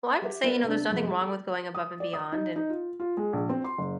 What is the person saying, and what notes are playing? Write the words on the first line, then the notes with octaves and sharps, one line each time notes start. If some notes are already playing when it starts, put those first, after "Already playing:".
Well, I would say, you know, there's nothing wrong with going above and beyond and
G4 C#5 E5 F#5
B3 F4 A#4 D5 E5
C3 D4
F#2 C3 F3 G#3
A4
D#6
D5
D#6
D#4
D#4
F4
F4
G#3
A#1
C4
C6
F#1